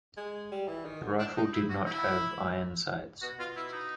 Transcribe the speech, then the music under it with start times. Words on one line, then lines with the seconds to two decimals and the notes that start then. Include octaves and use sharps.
The rifle did not have iron sights.
0.17 G#3
0.52 G3
0.68 E3
0.85 D#3
1.02 D3
1.19 D4
1.36 D#4
1.53 E4
1.70 F#4
1.86 E4
3.22 B2 F#4
3.39 B2 F4
3.56 E4
3.68 E4
3.73 D#4